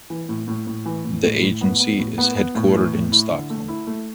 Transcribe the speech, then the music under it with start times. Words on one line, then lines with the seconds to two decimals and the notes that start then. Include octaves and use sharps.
The agency is headquartered in Stockholm.
0.10 E3
0.29 A2
0.48 A2
0.67 A2
0.86 E3
1.05 A2
1.24 A2
1.42 A2
1.61 B3
1.80 B3
1.99 A2
2.18 B3
2.36 B3
2.55 A2
2.74 E3
2.93 A2
3.12 E4
3.31 D3
3.50 A3
3.68 E4
3.87 A3